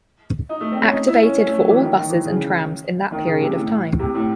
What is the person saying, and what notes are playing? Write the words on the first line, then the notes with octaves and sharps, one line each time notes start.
Activated for all buses and trams in that period of time.
D#4
A3
C4
C#4
D#4
E4
C#4
C#4
A3
F#3
E3
D#3
D#3
E3
C#3
D#3
C#3
C3
A2
C3
A2